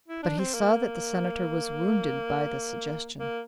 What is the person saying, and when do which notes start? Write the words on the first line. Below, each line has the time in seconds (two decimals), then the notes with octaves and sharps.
But he saw that the Senator was wounded by the suggestion.
0.09 E4
0.23 D4
0.39 C4
0.54 A#3
3.20 A#3